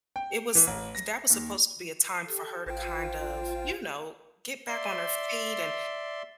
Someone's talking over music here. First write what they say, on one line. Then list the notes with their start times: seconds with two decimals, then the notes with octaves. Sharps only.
It was that was supposed to be a time for her to, kind of, you know, get back on her feet and
0.16 G5
0.55 E3
0.67 A1
0.95 A#6
1.30 D#2
2.24 G4 A4
2.66 A1 F4 C5 G5
4.68 D5 E5 C6